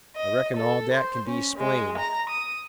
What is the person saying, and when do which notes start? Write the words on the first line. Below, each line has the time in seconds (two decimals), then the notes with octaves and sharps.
"I reckon all dat kin be 'splained."
0.16 D#5
0.56 A4
0.94 C5
1.28 C#4
1.58 G#3
1.97 A#5
2.30 D#6